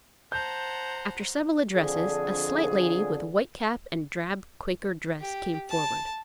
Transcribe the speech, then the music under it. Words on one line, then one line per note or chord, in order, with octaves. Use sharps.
After several addresses, a slight lady, with white cap and drab Quaker dress, came forward.
C5 F#5 A5 A#5 G6
F2 D3 F3 D4 G#4
G4
A5